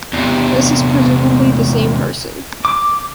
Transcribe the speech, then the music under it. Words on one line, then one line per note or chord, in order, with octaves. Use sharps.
This is presumably the same person.
E2 C3
D6